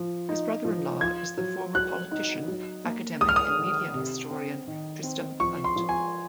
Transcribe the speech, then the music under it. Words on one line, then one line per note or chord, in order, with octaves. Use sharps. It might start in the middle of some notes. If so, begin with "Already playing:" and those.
His brother-in-law is the former politician, academic and media historian Tristram Hunt.
Already playing: F3
D#4
F3
F4 G#6
F#3
F#3 F#6
D#4
F#3
A#3
G#3 D#6
F6
D#6
D#3
C3
C4
D#3
C4
F3 C#6
C6
F3
G#5